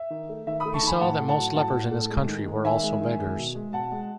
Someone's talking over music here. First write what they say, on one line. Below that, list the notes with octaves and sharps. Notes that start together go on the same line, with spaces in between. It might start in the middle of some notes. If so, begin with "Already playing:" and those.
He saw that most lepers in his country were also beggars.
Already playing: E5
D#3
A3
D#3 E5
B5 D#6
A3
A5 C#6
D#3 G#5 B5
A2 F#5 A5
A3
F#5 A5
F#3
A2 F#5 A5
A2
A3
G#3
D#3
G#3
D#3 E5 G#5
G#3
D#3
G#3
B2
G#3
B2 F#5 A5
G#3